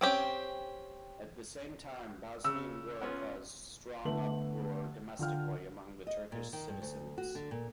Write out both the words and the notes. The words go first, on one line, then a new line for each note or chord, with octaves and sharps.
At the same time Bosnian War caused strong uproar domestically among the Turkish citizens.
C4 C#4 G4
C#3 E6
B3 C#4 F4
D3 A3 B3 F#7
D3 F4 G5 F6
D#5
A#2
D#3
G2
D2
F#4
D3
A#2